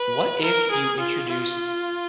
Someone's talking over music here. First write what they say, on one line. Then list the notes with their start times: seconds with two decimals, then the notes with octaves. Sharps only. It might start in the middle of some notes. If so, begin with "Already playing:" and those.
what if you introduced
Already playing: B4
0.42 A#4
0.71 G#4
0.99 F4
1.28 F4